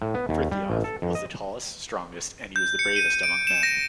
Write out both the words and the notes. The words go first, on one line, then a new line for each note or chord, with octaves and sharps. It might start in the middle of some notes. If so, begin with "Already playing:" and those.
Frithiof was the tallest, strongest and he was the bravest among men.
A2
B3
D#2
G3
A1
A4
F2
D#5
G6
C#7
D#7
D7
E7
A#6